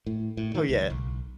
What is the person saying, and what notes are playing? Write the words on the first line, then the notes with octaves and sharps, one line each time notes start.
Oh, yeah.
A2
A2
D#3
C#2
B1